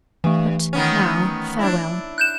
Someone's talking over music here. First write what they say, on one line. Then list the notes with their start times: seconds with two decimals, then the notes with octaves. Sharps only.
But now, farewell.
0.24 G2 E3 A3
0.73 D#3 B3 C#4
1.59 D4 E4
2.18 F#6 G6 E7